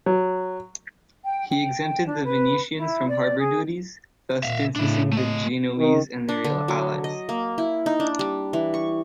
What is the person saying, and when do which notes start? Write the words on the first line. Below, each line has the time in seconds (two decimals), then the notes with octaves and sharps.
He exempted the Venetians from harbour duties, thus distancing the Genoese and their allies.
0.06 F#3
1.24 G5
1.50 G5
2.06 D4
2.24 B4
2.77 E4
3.07 D5
3.38 G#4
4.43 A#2 E5 F5
4.76 A2 C#3 D4 E4
5.13 A3 D#5
5.77 D#3
6.29 D4
6.44 D3
6.68 F#3
7.04 D#5
7.29 A#3
7.58 E4
7.86 D#4
8.00 D4
8.19 G3
8.53 E3
8.74 C#6